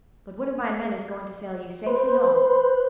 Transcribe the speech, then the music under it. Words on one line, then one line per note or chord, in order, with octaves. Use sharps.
But one of my men is going to sail you safely home.
B4 C5